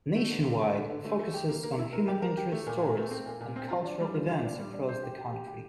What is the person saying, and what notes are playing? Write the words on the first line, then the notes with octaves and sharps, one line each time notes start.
"Nationwide" focuses on human interest stories and cultural events across the country.
A3
D3
D3
A3
D3
D3
A3
A3
G4
A#3
A#3
E4
A#4
G4
A#4
G4
A3
A#2
A#2
A3
C4
A#2
A#2
C4
F4
D4
G3
F4
F4
D4
G3
D4
C5
G4
G4
G4
G4